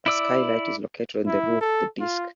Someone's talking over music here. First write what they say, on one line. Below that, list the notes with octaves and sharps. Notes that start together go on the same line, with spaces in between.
A skylight is located on the roof of the disk.
E4 D5 E6
E4
A4
F4